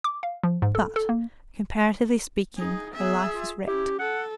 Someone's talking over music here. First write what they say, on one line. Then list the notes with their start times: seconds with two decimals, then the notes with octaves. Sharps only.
But, comparatively speaking, her life was wrecked.
0.04 D6
0.23 F5
0.43 F3
0.62 G#2
0.75 A4
0.96 A4
1.09 A#3
2.57 D#4 G#4
2.94 B3 G#4 E5
3.30 F4
3.67 C#4 E4 G4
3.99 A4 F#5